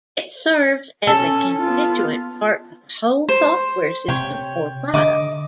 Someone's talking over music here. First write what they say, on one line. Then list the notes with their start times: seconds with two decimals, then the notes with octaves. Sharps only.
It serves as a constituent part of a whole software system or product.
1.07 C#4 A4
1.61 B3 F4
3.29 C5
4.08 C3 C#5 G5
4.94 D3 D#5 D6